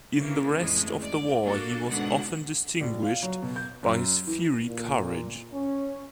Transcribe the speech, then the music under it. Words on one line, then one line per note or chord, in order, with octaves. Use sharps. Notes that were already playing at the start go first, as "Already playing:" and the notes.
In the rest of the war he was often distinguished by his fiery courage.
C#3 E3 A#3
F2 A2 E3 G#3
D5
A#3 D4 F#4 A4
G#2 B2 D3 B3 F#5
A#1
F5
F#3
B2
G6
F#2
E3
A#2
C#4